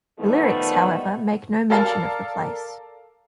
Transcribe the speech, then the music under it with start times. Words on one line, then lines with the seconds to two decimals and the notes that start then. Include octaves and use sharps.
The lyrics, however, make no mention of the place.
0.19 D#3 F3 G3 A3 B3
1.70 A4 A#4 D5 F5 A5